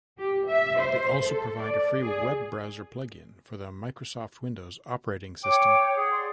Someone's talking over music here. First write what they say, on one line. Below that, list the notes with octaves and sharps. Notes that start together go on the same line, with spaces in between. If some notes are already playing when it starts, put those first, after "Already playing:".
They also provide a free web browser plug-in for the Microsoft Windows operating system.
G4
E5
C5
A4
D5
G#4
C#5 G5 D6
G#4 F#5
D5 C6